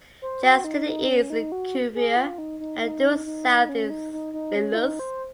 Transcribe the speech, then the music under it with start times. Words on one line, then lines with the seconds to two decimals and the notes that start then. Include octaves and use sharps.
Just to the east is Cuvier, and due south is Lilius.
0.22 C5
0.43 F#4
0.64 D#4
0.87 D#4
1.09 C#4
1.30 D#4
1.52 F#4
1.95 G#4
2.17 F4
2.38 D#4
2.60 D#4
2.82 D#4
3.26 D#4
3.69 C#4
3.90 D#4
4.13 D#4
4.33 D#4
4.55 C#4
4.74 F4
4.77 D#4
4.99 C5